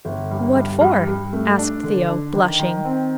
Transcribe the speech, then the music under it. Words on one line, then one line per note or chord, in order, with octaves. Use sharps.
"What for?" asked Theo, blushing.
G1
G2
G2
G2
G2
A3
D4
D3
D4
D#3
D#3
C4